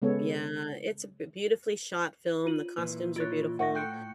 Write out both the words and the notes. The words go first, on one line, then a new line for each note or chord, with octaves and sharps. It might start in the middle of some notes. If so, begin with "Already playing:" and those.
yeah, it's a b beautifully shot film, the costumes are beautiful,
C#3 G#3 B3 A4 C#5
F4 D#7 F#7
A#2 E3 B4
E4 F4 C#5 F#6 A6 D7
A2 E5 F#5 G5 C#6 A#6
F4 A4 G5 C#6 F#6 G6 C#7 D7